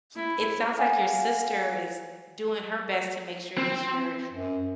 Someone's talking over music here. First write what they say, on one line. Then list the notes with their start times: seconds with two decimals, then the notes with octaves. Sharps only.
you kn it sounds, like, your sister is doing her best to make sure that you're
0.15 E4
0.79 F5 F#5 G#5
3.58 C4
4.33 F#2